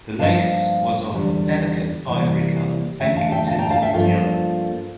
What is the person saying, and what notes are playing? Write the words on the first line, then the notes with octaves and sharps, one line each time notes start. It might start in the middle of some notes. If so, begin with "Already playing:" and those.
The lace was of a delicate ivory color, faintly tinted with yellow.
G2 F3 A#3 F5 A5
E2 D3 G3
C3 E3 G3 A#3
E2 D3 A3 E5 G5
F5 A5
E5 G5
F5 A5
G5 A#5
F5 A5
E5 G5
G2 F3 A#3 F4 A4